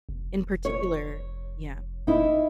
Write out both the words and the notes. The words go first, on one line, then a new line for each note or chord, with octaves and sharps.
In particular Yeah.
F1
C#5
F1 D#4 E4